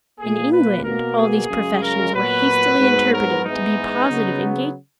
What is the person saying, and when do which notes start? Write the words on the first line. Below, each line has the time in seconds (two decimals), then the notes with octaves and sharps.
In England, all these professions were hastily interpreted to be positive engagements.
0.19 A#2 A#3 G#4
0.51 B4
0.84 B2 A#3 A#4
1.17 G#4
1.49 F#2 C#3 G#3
1.82 A#4
2.14 A#2 F#3 B3 B4
2.79 G#2 F#3 B3
3.12 A#4
3.44 G#2 E3 G#3 B3 D#4
4.09 C#3 F#3 B3